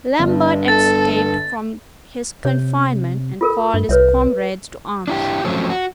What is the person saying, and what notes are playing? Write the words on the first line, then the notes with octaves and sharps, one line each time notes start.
Lambert escaped from his confinement, and called his comrades to arms.
G1 G2
A4 A6
C3 C#5
F4 A4 A#4
G2
C2 B4 C#5 E5
D4 E4 G4
F3 F#3 A3 C4 C#4
F#4